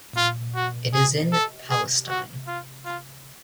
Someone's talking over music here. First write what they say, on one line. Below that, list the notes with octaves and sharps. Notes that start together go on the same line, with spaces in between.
It is in Palestine.
F4
F#4
G#4
A4
G#4
F#4
F4
F4